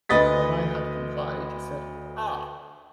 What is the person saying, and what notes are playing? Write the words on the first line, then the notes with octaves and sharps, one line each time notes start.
When I had complied, he said, "Ah!"
D2 B4 D#5 A6 B6